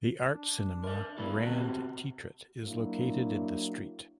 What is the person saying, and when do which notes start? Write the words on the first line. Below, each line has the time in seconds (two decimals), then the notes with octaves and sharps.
The art cinema Grand Teatret is located in the street.
0.34 D4
0.84 A#4 E5
1.18 G3 B3 E4 A4
1.44 C3 B3 C4 F#4
2.63 F#3 A#3 D4 E4